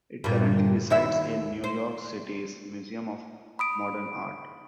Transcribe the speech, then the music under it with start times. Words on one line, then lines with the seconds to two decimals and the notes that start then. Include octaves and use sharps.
It currently resides in New York City's Museum of Modern Art.
0.24 G2 A#2
0.90 D#2 E4 E5
1.64 C5
3.59 B5 D#6 D7